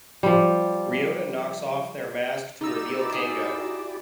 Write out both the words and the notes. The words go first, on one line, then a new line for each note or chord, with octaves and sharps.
Ryota knocks off their mask to reveal Kengo.
F3 G3
D#4 E4 F#4 G4 D5 D6 E6
G#4